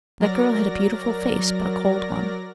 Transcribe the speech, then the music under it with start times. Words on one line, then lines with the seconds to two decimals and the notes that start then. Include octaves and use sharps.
That girl had a beautiful face but a cold one.
0.20 F#3 A#4 D5 A#6